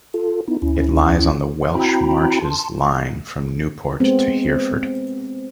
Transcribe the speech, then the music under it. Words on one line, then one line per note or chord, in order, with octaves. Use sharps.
It lies on the Welsh Marches Line from Newport to Hereford.
F4 A4
B3 D#4 E4
D2 C#4 E4
C4 E4 F#4 G5 A#5 B5
A5 C6
G#3 B3 C4